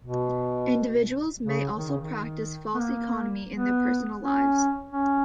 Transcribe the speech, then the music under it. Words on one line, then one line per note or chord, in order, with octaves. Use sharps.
Individuals may also practise false economy in their personal lives.
B2
C#3
D#3
C#3
D#3
B3
A#3
B3
C#4
C#4